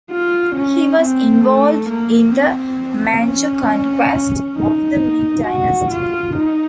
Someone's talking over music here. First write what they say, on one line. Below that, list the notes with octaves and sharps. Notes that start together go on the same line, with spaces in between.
He was involved in the Manchu conquest of the Ming dynasty.
F4
C#4
C4
A3
A#3
C4
C#4
D#4
F#4
F4
D#4